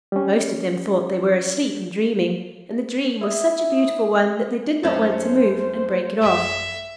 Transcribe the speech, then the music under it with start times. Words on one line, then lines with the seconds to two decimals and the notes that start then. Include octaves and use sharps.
Most of them thought they were asleep and dreaming, and the dream was such a beautiful one that they did not want to move and break it off.
0.12 G3 C#4
3.21 E4 D#5
4.83 F2 F#3 A3 C#4 D#4 C5
6.21 A1 F#2 E5